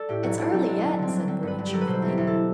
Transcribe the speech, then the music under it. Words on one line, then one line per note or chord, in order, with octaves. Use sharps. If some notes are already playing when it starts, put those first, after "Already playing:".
"It's early yet," said Bertie cheerfully.
Already playing: A4 D5
A2 G4
B1 F#4
B1 D4 E4
B1 C4
F#3 D4
G1 D4
D3 C4
D4
F#3
D3 C4
G2 B4
G2
G4
F#3 A4
B4
B2 C5
E2
G4
E2
A4